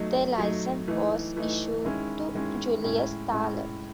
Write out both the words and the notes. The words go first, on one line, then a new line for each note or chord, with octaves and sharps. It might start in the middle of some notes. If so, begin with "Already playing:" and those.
The license was issued to Julius Thaller.
Already playing: F#3 A3 D#4
F#3 A3 D#4
E3 A3 D#4
E3 A3 D#4
D#3 G#3 C#4 E4
D#3 G#3 C#4 E4
A2 G#3 C#4 E4
A2 G#3 C#4 E4